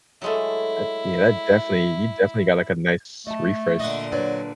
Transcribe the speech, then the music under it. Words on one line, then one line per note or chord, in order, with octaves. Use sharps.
Eh, yeah, that definitely you definitely got, like, a nice refresh.
F#3 G#3 A3 E4
A3 D#5 A5
A#2 D3 D#5 E5 F#5
F#3 D4 B4 D5